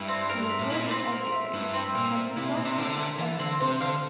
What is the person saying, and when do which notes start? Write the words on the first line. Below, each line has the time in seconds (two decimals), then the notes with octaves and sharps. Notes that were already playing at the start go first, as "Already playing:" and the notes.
He had told her everything, had consulted her about everything.
Already playing: G2 E4
0.08 C4
0.29 A#4
0.49 E5
0.59 A2
0.70 A#2 E4
0.91 C4
1.12 A#4
1.32 E5
1.53 G2 E4
1.73 C4
1.95 A#2 A#4
2.14 E5
2.36 C3 E4
2.53 A#2 C4
2.65 C3
2.77 D3 A#4
2.98 E5
3.18 E3 F4
3.39 D3 C4
3.60 C3 C5
3.80 D3 F5